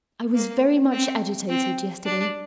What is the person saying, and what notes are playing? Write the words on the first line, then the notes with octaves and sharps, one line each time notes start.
I was very much agitated yesterday.
A#3
C4
C4
D4